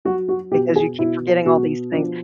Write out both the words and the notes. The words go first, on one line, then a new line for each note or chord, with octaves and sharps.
Because you keep forgetting all these things.
F#3 F#4
F#4
B2 G4
G#4
B2 E4
B2 F#4
F3 D4